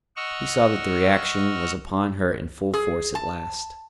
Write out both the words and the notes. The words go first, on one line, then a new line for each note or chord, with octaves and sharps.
He saw that the reaction was upon her in full force at last.
D#5 F#5 C#6 E6 F6
G#4
A5